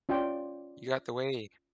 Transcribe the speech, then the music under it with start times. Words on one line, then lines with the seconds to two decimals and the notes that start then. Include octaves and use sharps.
You got the way.
0.09 C#4 F4 D5 G5